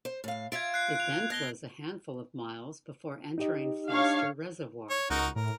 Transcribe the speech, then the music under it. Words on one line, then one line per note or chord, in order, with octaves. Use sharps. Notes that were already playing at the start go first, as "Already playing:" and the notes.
It then flows a handful of miles before entering Foster Reservoir.
C5
A2 F5
F4 E5 F5 G#6 D7
F#6 C7
F#6 F7
B2 F#6 A#6 G7
D#4 G4 D#5
D4 C#5 F5
C#5
C#2 D#4 F#4 A#4
A2 A#4